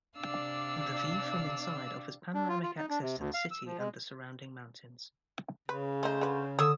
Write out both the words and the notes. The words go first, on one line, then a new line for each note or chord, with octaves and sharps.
The view from inside offers panoramic access to the city and the surrounding mountains.
C3 D4 D5 F5 E6
D4
F4
F4
D#4
D4
C3
D2
F5
E6
F3
G#3
C#3 B4
A3 D#4 C5
D3 B4
D3 C#5 D#6 E6